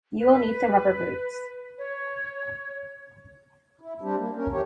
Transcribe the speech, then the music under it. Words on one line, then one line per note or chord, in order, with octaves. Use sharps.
You will need some rubber boots.
B4
C#5
E4
G3 C4 D4 G4
A#3
C#4 A#4
D#2 E3 G4 C#5